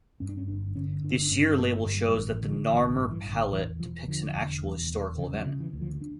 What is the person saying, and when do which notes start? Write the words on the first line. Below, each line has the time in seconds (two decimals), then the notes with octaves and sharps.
This year label shows that the Narmer Palette depicts an actual historical event.
0.20 G2 C#4
0.29 D4
0.37 C#4
0.48 G1 D4
0.76 D3 C#4
1.04 G1 D4
1.22 D4
1.31 G2 C#4
1.58 G1 A#3
1.86 G2 G3
2.07 G3
2.14 A1
2.28 E3
2.43 D3
2.49 F3
2.69 A1 E3
2.90 D3
2.97 G2
3.11 E3
3.25 A1
3.32 D3
3.52 E2 E3
3.80 E1 F3
4.08 D3 F3
4.35 E1
4.64 E2
4.91 E1
5.18 C#3 F3
5.33 G3
5.40 F3
5.46 C#3
5.60 E3
5.73 D2
5.81 F3
6.01 D4